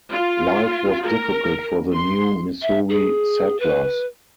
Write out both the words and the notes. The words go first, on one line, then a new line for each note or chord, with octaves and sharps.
Life was difficult for the new Missouri settlers.
F4
A#4
C6
E5
G#4
B4